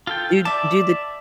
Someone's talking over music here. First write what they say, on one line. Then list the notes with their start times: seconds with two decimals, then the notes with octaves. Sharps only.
do do the
0.07 F4 A4 G5
0.45 D5 E5 A5